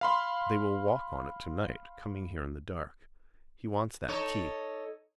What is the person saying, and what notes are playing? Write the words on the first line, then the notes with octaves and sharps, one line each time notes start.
They will walk on it tonight, coming here in the dark. He wants that key.
F5 B5 C6
D#4 A4 C#5